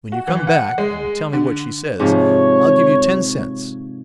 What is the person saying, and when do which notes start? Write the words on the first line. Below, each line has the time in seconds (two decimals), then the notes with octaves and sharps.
When you come back and tell me what she says, I'll give you ten cents.
0.12 F#4
0.28 E3
0.47 F#5
0.78 G#3
1.33 D3
2.00 G#2 C3 F3 C#5